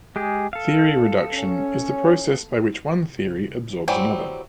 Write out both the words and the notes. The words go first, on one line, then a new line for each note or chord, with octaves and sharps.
Theory reduction is the process by which one theory absorbs another.
G#3 G4 G#4
A4 F5
C#4
E3 F#3 G3 C4